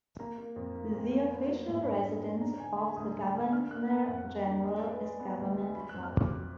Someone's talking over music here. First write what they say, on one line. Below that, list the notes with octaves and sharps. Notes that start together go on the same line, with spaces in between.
The official residence of the Governor-General is Government House.
A#3 A#5
A#3
F2
A#3
F2
A#3
B3
F#3
G#2
D4 B5
D4
D4
D4 A#5
A#5
D3 G#5
G#3 B5
D2 D#6
D2
D2
D4 F6
A#3 F#6
A#3 A#5
F2 F#5
A#3
D4
G#3 D#5
D5
G#3
B4
G#3 D5
B3
D2
G#3
F#3 B5
F2 F#6
F6
F2 D6
F#3